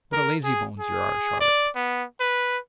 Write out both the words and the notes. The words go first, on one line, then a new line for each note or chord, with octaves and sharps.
What a lazybones yer are, Charlotte.'
A#4
G#4
G#4
D5
B3
B4